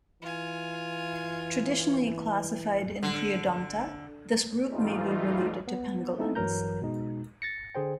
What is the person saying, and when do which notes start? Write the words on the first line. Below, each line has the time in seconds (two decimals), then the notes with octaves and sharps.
Traditionally classified in Creodonta, this group may be related to pangolins.
0.22 E3 F4 G#5
3.03 D3
4.68 G#2 E3 G3 A3 D#4 F4
5.68 B3
6.18 A3 C4 D#4 E4 A4
6.35 G2 E3 F#3 A#4 A#5 G6
6.82 B2 G#3 D#4
7.42 A6 A#6 C#7
7.75 D3 G#4 C5 G5